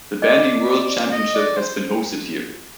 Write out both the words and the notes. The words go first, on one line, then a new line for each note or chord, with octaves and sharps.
The Bandy World Championship has been hosted here.
D5 D#5
D#5
D5
C5